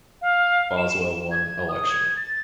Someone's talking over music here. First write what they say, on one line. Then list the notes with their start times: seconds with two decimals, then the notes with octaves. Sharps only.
Boswell won election.
0.22 F5
0.77 E7
1.31 G#6
1.69 D#6
1.89 G#6
2.16 A6